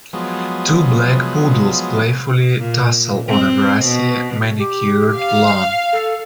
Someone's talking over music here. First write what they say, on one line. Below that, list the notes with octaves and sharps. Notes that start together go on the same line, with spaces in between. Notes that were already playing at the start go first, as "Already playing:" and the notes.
Two black poodles playfully tussle on a grassy, manicured lawn.
F3 F#3 G#3 B3
A#2
C4
B2
G4
F5
A4